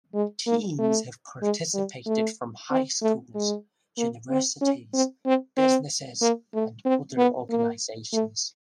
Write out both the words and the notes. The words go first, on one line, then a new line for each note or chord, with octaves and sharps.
Teams have participated from high schools, universities, businesses and other organizations.
G#3
A#3
A3
G#3
G3
A3
C4
A3
G#3
A#3
C4
C#4
C4
C4
C4
A#3
A3
C4
B3
A#3
A3